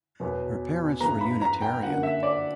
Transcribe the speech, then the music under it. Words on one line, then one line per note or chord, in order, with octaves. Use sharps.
Her parents were Unitarian.
E2 B2 F#3 B3
G2 E3 B3 A#5
B5
A#5
G5
F#2 D3 A#3 F#5
E5
D5